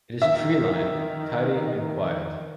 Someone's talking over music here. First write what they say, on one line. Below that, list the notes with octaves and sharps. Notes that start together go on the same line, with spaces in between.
It is tree-lined, tidy, and quiet.
D#3 E5